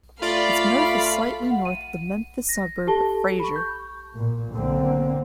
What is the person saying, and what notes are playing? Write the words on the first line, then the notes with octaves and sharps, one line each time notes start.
Its mouth is slightly north of the Memphis suburb of Frayser.
A3 F4 D5 F5 B5
F#5
D#7
A#6
G4 A4 A5 A#6 G7
B5 C#6
C#6 G6
A#2
B1 D3 A#3 C4